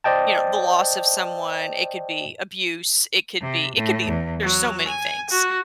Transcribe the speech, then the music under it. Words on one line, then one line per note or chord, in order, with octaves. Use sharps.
you know, the loss of someone, it could be abuse. It could be it could be there's so many things.
C5 D5 D#5 G5 A5
C3
A2
E2
F#3
G#5
F#4